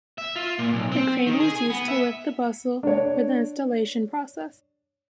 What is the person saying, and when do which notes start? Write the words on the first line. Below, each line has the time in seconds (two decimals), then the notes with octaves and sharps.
A crane was used to lift the bustle for the installation process.
0.18 E5
0.36 F4
0.59 A#2
0.74 B1
0.92 C4
1.27 D#3
1.40 G#4
1.55 G#5
1.70 B3
1.88 E5
2.83 D4 C#5